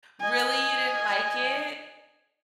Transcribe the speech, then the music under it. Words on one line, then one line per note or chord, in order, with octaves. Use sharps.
Really, you didn't like it?
D#5 G#5